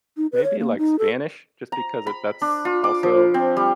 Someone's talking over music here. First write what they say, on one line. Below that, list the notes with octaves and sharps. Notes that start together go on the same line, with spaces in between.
maybe, like, Spanish? Just because it that's also
D#4
B4
C#5
A#3
D#4
A4
A#5
B5
D4
F4
D6
F3
C4
G3